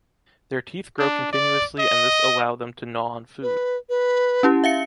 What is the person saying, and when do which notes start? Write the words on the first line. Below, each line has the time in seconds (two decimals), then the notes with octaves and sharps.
Their teeth grow continuously and this allow them to gnaw on food.
0.99 D4
1.33 D5
1.79 D#5
3.42 B4
3.89 B4
4.43 C#4 E4 G4
4.64 E5 F5 C#7